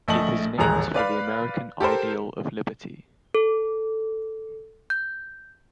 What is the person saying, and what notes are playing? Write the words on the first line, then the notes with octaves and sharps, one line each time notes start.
It is named for the American ideal of liberty.
A#1 A3 D#5 A5 F#7
D#1 A1 G#4 A#5 F#6
B4 D5 F5 B5
G4 A4 A#4 C5
A4
G6